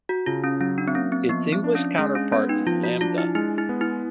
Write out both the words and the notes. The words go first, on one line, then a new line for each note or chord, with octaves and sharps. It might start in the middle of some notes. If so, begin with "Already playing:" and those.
Its English counterpart is "Lambda".
F#4
C#3 F4
C#4
F#3 C#4
D4
C4
A#3 C#4
C4
F3 B3
C4
D4
C#4
G#3 C#4
C#4
B3 C#4
D#4
F3 F4
F#4
D4 F4
E4
G#3 E4
E4
B3
E4